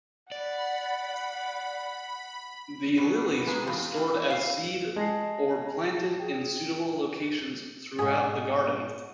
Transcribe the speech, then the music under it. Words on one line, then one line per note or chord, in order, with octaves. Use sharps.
The lilies were stored as seed or planted in suitable locations throughout the garden.
D5 F#5 B5
F#3 G3 B3
G#3 A#3 D4 G#4 B4
B2 E3 G#3 F4
E3 A#3
F5
G#3 A5 A#6 C7
G#4 G5
G#2 B2 G#4